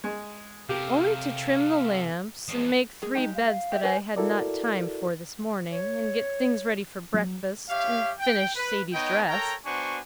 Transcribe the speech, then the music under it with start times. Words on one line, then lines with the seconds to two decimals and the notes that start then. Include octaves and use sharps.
"Only to trim the lamps, and make three beds that I had not time for this morning, and get things ready for breakfast, and finish Sadie's dress."
0.04 G#3
0.69 C3 G4 A4 A#4 F5
2.48 E2 F3 G#3 D#5
3.02 G#3 G#4
3.15 G#3 D#4 G4
3.34 F5
3.72 G4 E5
3.83 B4 C5 G#5
4.16 E4 F#4 A4 A#4 D5
5.72 C#5
7.14 F#3
7.68 G4 C#5 E5 F5
8.19 G5
8.56 B4
8.93 B3 D#4 C#5 D#5 G5
9.28 A4 A#4 C#5 G5 A#5
9.65 B3 D4 F#4 C5 G#5 C#6